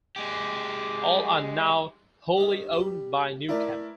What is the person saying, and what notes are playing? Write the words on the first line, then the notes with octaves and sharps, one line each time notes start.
All are now wholly owned by Newcap.
G#3 G4
G2 D#3
G3
A3 E4 A#4 B4 D5